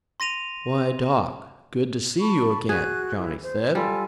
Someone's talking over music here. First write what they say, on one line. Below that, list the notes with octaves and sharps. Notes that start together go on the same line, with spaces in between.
"Why, Doc, good to see you again," Johnny said.
C6 A#6 D#7 F7
A5 B5 C#6
F#4 G#4 F#6
E4
C5
G3 F4 A4 G#5